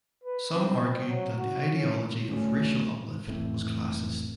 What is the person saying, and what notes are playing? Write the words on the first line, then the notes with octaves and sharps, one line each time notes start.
Some argued that the ideology of racial uplift was classist.
B4
C4
F#3
F#4
C#4
D2 C#4
F1 A2 E3 C4